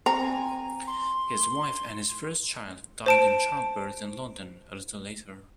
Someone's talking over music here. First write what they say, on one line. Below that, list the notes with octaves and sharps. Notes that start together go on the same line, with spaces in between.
His wife and his first child died in childbirth in London a little later.
C4 A#5
G#5
C6
C5 A5 D7